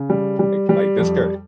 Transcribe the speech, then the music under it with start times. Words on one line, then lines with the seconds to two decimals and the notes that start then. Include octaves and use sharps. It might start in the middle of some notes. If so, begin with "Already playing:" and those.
Like like, Discor
Already playing: C#3
0.10 G3
0.39 G3
0.69 G3
0.98 F2